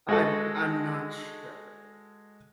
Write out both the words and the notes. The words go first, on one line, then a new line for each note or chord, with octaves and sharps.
I'm I'm not sure.
G#3 F#4 A4